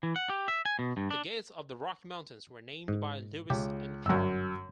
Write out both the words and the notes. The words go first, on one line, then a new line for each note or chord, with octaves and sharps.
The Gates of the Rocky Mountains were named by Lewis and Clark.
E3
F#5
G4
E5
G#5
B2
G2
D4
G#2
C#2 G4
G1 F#2 F#4 E6